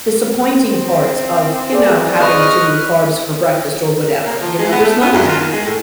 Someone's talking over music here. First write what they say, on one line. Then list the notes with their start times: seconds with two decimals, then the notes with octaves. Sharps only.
disappointing parts of, you know, having too many carbs for breakfast or whatever, you know? There's none of that.
0.41 C4
1.72 G#4 D5
2.20 B4 D#5 C#6 F6
4.26 A#3
4.41 F3
4.59 G#3
4.72 B3
4.84 A3
5.01 B3
5.13 F#2
5.28 F4
5.40 D#3
5.53 G#3
5.66 A2